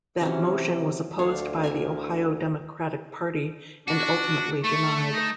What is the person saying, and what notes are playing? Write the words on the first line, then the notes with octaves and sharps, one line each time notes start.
That motion was opposed by the Ohio Democratic Party and ultimately denied.
C3 E3 F#3 C#4
D2 D4 C#5 F5
E4 A#4 G#5
D4 F#4
A3 C#6
D#4